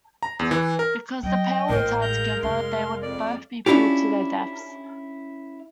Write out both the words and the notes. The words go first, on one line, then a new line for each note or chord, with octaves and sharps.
Because the pair were tied together, they would both be pulled to their deaths.
A#5
E2
E3
A#4
F#3 D#5 G5
A1 A2 A#4 C5 C6
G#3 F5 A#5 G6
F1 F4 C6
F2 D5
C#4 D4 E4 F4 G4